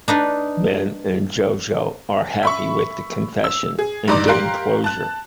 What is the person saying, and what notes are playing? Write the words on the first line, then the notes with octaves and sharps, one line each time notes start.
Ben and Jojo are happy with the confession and gain closure.
D4 D#4 B4
E5 B5 C#6
E6
G#4
G2 D#4 D5 A#5 C6 D6
G4 A#4 F5 C6 F#6 D7
A5 F#6